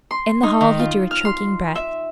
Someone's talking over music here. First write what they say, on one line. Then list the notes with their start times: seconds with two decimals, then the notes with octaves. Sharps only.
In the hall he drew a choking breath.
0.11 C6
0.43 D#4
0.61 D#3
0.79 F4
1.11 F6
1.25 C6
1.75 E5